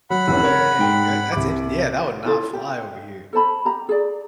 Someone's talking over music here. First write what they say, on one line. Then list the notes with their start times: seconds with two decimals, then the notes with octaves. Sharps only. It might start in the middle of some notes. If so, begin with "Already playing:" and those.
Dang. That that's int yeah, that would not fly, over here.
0.10 F#3 F#5 B5
0.28 F1 E3 C#4
0.43 A#4 C#5
0.79 G#2 G5
1.32 C2 D6
2.25 E4 F4 A4 C#5
2.53 G4 G5
3.33 A4 C5 A5 B5
3.65 G4 A#5
3.89 G#4 D5